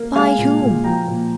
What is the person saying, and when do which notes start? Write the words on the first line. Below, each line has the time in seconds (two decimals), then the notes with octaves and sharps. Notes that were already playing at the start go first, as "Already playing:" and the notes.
"By whom?"
Already playing: A#3
0.16 G#3 F5 G#5
0.38 A#2
0.61 A#2
0.84 F3 G5 A#5
1.07 A#2